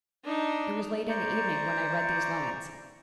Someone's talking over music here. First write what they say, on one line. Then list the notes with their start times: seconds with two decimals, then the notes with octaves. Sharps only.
It was late in the evening when I read these lines.
0.24 D4 D#4
1.09 C5 D5 A#5 C#6